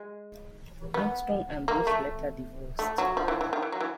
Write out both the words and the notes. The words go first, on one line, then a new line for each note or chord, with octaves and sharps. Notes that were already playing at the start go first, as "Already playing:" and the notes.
Armstrong and Bruce later divorced.
Already playing: G#3
B3
A#3
A3
A3
F#3
F3
E3
E3
D#3
E3
F#3
E3